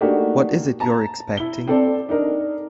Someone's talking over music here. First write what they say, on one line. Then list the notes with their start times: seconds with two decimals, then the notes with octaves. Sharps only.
What is it you're expecting?
0.01 A3 A#3 D4 D#4 F#4 G4
0.80 A5 A#5
1.37 E4 G7
1.67 C4 A4 D5
2.09 D4 D#4 A#4